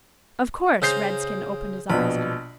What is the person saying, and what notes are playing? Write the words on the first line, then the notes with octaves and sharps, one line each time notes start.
'Of course!' Redskin opened his eyes at her.
C#3 C5 A#5 D#6 G6 C7
A#1 B2 B5